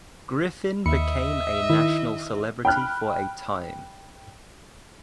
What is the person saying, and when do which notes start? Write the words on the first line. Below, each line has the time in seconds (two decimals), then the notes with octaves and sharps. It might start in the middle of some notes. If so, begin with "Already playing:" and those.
Griffin became a national celebrity for a time.
0.86 D#2 D#5 E5 B5 C#7
1.70 D#3 E4
2.65 G5 B5 F6 F#6